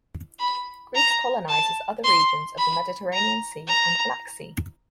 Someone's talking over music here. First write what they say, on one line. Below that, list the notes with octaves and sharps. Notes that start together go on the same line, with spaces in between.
Greece colonizes other regions of the Mediterranean Sea and Black Sea.
B5
A#5
A5
C6
B5
A#5
A#5